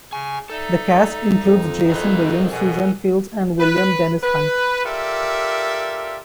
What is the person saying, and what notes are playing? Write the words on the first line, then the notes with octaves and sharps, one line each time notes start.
The cast includes Jason Williams, Suzanne Fields and William Dennis Hunt.
C#3 G#5 C#6
D#4 A4 D5 E5 A#5
F2
E4 G#4 A#4 D#5 B5 F#6
B2 F#5 G#5 F#6
B4
B4
F4 G4 A4 A#4 D5 E5